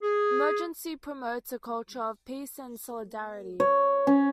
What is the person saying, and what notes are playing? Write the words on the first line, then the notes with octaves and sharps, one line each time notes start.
Emergency promotes a culture of peace and solidarity.
G#4
C#5
C#4